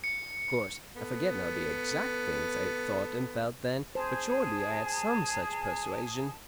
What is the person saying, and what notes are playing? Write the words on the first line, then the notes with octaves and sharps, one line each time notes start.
Of course I forget now the exact things I thought and felt then, but surely I had some such persuasion.
C#7
B3 A4
G#4 C5 A5